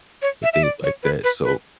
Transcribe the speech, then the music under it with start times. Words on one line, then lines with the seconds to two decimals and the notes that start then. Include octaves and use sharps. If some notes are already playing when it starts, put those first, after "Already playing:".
and things like that. So,
0.22 C#5
0.43 E5
0.53 E5
0.63 D5
0.83 C#5
1.03 B4
1.24 B4
1.44 B4